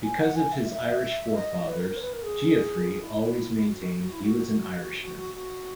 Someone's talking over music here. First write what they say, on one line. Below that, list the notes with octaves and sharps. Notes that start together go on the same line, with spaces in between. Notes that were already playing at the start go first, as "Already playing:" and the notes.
Because of his Irish forefathers, Geoffrey always maintained he was an Irishman.
G#5
F#5
G#5
E5
E5
D#5
B4
A#4
A#4
C#5
B4
A#4
G#4
E4
F#4
F#4
E4
F#4
F#4
F#4
F#4